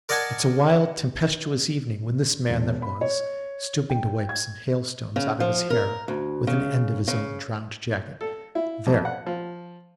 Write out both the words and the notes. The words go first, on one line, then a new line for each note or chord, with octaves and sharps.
It's a wild tempestuous evening when this man that was,' stooping to wipe some hailstones out of his hair with an end of his own drowned jacket, '--there!
A#4 D5 D#5 F#5 G#5 A5
E1
B5
C#5
G5
G#6
C#3
F3
A#4
D2
C#3
C#3
A4
E4
F2
F#5
F3